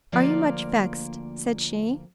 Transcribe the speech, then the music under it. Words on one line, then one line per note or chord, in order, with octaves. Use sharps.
'Are you much vexed?' said she.
D2 F3 A#3 F4 D5